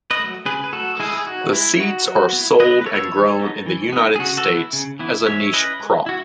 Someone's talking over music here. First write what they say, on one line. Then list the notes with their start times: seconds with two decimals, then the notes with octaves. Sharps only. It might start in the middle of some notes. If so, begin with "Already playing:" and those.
The seeds are sold and grown in the United States as a niche crop.
0.11 B4 D#5
0.20 F#3 A3
0.46 C#3 G#4 B4
0.64 B4
0.73 F#3 A3 F#4 A4
1.00 G#3 E4 G#4
1.17 G#4
1.26 D#4 F#4
1.53 G#3 E4
1.80 D#4 F#4
2.07 F#3
2.33 B3 E4
2.60 F#3 B4 D#5
2.81 B4
2.86 B3 E4 A4 C#5
3.13 E3
3.40 B3 D#4
3.66 E3
3.93 B3 D#4
4.16 G#4
4.19 C#3 F#4
4.37 F#4 A4
4.46 E3 B3 E4
4.73 C#3
4.99 E3 B3 E4
5.26 G#3 C#5 E5
5.53 C#4 E4 B4 D#5
5.80 G#3
6.06 E4 F#4